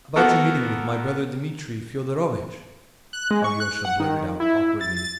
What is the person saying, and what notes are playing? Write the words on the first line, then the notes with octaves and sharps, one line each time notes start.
"About your meeting with my brother Dmitri Fyodorovitch," Alyosha blurted out awkwardly.
A#3 B3 F#4 A4 A#4
F#6
G#3
C#6
F#6
F#5
D#3
E4
A6
A6